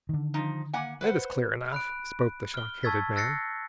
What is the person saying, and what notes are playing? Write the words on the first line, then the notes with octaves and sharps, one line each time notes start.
"That is clear enough," spoke the shock-headed man.
D3 D#3
F3 D#4
A#3 F#5 G#5
B4 C5 F#5
B5 F#6 D7
F6 G7
A5 C#6 E6 G#6 A6 B6
E6 F#6 A6 A#6 C7 C#7